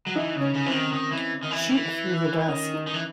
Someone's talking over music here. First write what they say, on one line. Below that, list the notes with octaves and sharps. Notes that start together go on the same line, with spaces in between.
Shoot through the desk.
F#3
E3 D#4
C#3
C#4
C#3
E3 C4
D#3
D#3
E3
D#3
E3
E3
D#3 C#4
D#4
D#3
E3